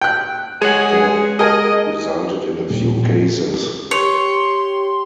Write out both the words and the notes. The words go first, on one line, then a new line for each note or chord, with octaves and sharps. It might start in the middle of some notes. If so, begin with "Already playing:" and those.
Death resulted in a few cases.
G5 F#6
G#3 G#4 C#5 F#5
G#4 A#4 D#5 G#5
D#1
G4 C#5 C6